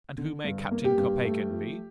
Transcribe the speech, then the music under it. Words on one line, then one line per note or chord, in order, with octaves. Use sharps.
"And who may Captain Kopeikin be?"
D3
G2
A#3
G4
G2
A3
F3